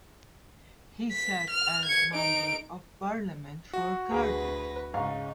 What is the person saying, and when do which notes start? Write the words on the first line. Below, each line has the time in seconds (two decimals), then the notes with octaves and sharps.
He sat as Member of Parliament for Cardiff.
1.12 B6
1.51 F6
1.85 G#6 C#7
2.14 D#4 D7
3.73 F#4
4.11 D2 G#4 B4 A#6
4.94 G#2 C#3 D#4 F5 C#6